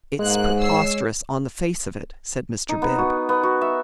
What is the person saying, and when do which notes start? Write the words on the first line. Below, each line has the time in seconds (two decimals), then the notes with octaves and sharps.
"It's preposterous on the face of it," said Mr. Bib.
0.19 G#2 G#3 A#3 F#6
0.59 C#5 E6 C7
2.69 D#4
2.82 B3
2.98 F#4
3.29 B3
3.43 F#4
3.61 E5